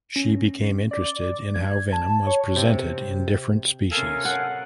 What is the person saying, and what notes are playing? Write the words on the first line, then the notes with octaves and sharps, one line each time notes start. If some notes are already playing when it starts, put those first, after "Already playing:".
She became interested in how venom was presented in different species.
C#4
D5
G#6
A5
C#5
C3
C3 C#4 A4 A#4 F5 G#5
F#5